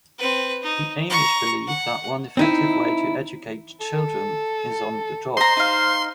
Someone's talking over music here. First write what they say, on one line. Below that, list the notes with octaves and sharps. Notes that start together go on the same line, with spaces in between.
The Amish believe that one effective way to educate children is on the job.
C4 B4
D#4
A#5 C#6
F#5
C4 D#4 E4
A4
C5 D#5 A#5 C6
D#4 F5